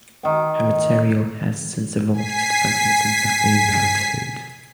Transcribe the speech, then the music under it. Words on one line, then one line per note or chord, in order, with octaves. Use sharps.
Her material has since evolved to focus on family and parenthood.
D#3 G5
G#5 B6 C7